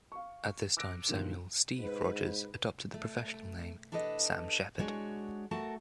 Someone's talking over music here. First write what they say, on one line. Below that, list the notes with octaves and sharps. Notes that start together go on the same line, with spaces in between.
At this time Samuel "Steve" Rogers adopted the professional name Sam Shepard.
F5 C#6
D6 E6 F#6 A#6 D7
A#2 D3 D#3 F3 G3 B3
G#2 B4
A3
D4 G4 A4 B4 D#5
G#3 D4 F#4 C#5
A3 F#4 A4 A#4 F#5 A5